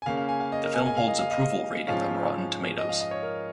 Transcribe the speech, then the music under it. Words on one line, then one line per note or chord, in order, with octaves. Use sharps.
The film holds approval rating on Rotten Tomatoes.
G#5
C#3 A#3 C#4 F5
F5
G#5
F5
D#5
A#4
G#5
G#5
F5
D#5
F5
D#5
G#2 F3 C#4 F5
D#5
F5
D#5
C#5
A#4